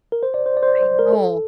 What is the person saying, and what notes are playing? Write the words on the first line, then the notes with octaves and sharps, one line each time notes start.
I know.
A#4
C5
D5
C5
D5
C5
D5
C5
A#4
A4